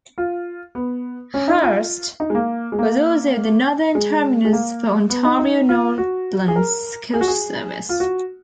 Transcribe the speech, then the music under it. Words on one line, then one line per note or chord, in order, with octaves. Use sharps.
Hearst was also the northern terminus for Ontario Northland's coach service.
F4
B3
C#4
D#4
F4
D#4
G#3
A#3
G#3
A#3
G#3
G#3
A#3
B3
D#4
D#4
F4
F#4
G#4
A#4
G#4
F#4
G#4
F4
F#4